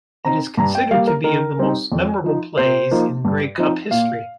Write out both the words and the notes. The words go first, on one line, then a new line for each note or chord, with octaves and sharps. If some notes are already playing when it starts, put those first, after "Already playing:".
It is considered to be of the most memorable plays in Grey Cup history.
C4 D#4 A#5
G2 A#5
G5
G3 A#3 F5
A#4
D#3 A#4
G3 C4 D#4
F2
F3 D#4
C3 C5
F3 A#3 D#4
G2
F3 C4 D#4
A#2 F5